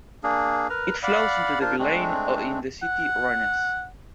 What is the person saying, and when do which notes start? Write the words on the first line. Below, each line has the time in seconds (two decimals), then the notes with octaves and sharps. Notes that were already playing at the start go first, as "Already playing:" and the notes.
It flows into the Vilaine in the city Rennes.
0.23 A#3 D4 G#4
0.69 A#4 B4 A#5
1.03 D5 F5 F#5 B5
1.61 D4 F4 A#4 C5
1.79 G#3 A3 C4 D4
2.82 F#5